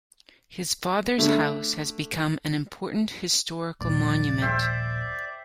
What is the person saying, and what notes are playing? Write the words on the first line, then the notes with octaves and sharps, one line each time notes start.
His father's house has become an important historical monument.
D3 A3
D#1 A#1 D5
C5 E5 G5